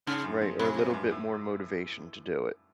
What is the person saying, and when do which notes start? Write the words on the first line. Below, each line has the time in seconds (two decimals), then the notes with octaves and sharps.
Right? Or, a little bit more motivation to do it.
0.07 G#2 C#3
0.24 F#2
0.42 F2
0.59 F#2 C3
0.76 F#2
0.90 G2
0.93 F#2
1.11 A2